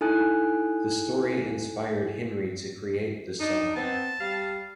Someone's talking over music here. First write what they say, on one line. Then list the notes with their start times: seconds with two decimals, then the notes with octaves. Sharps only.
The story inspired Henry to create the song.
0.01 D#4 E4 A4 G#5 A5 F#6
3.40 D4 D#4
3.76 B3 C4 A5
4.20 G3 F5